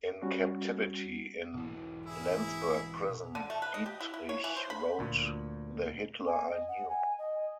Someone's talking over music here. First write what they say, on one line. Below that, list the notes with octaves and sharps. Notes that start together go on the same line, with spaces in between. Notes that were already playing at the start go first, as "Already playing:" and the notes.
In captivity in Landsberg Prison, Dietrich wrote The Hitler I Knew.
G3 C#4 F#4
B1 E3
E4 G#4
D3
A3
B4
D#5
G4
E4
E4
C#5
E3
C5
B5
D2 A#2
G#5
D#5
F#5
G#5
D#5